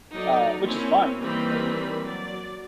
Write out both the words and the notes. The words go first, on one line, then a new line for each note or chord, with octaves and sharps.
uh, which is fine, but
F#3 D#4 A4 D5
A#3 C4 C#4 E4 C#5
D#3 E3 G3 A#3 C4 B5
F#3 D5